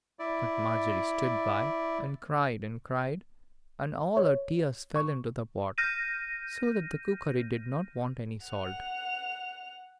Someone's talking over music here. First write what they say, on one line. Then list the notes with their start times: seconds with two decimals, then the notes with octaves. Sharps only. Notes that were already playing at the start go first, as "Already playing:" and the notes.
But Margery stood by, and cried and cried, and all her tears fell into the pot, so that the cookery did not want any salt.
0.19 E4 D5
4.17 C#5
4.96 C#6
5.78 F6 G6 A#6 D#7
8.46 F#5 F7